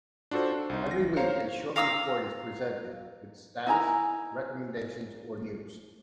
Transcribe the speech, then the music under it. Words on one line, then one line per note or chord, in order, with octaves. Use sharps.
Every week a short report is presented, with status, recommendations or news.
D4 F4 F#4 A4 C5
D4
C2 D#4
A#6
C5 C#5 F5 A#5
F5 A#5 D#6 E6
D#4 E4 G#5 A#5